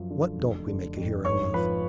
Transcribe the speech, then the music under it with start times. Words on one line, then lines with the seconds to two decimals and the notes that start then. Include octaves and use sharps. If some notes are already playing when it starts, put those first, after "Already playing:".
What don't we make a hero of?
Already playing: F#2 F3
0.10 D3
0.39 F1
0.68 D3
0.96 F2
1.25 G#1 C#5 C#6
1.54 F3 B4 B5